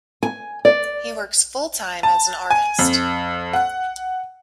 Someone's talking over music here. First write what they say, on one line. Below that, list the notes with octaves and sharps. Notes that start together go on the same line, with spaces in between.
He works full-time as an artist.
G#5
D5
A5
G#5
F2
F#5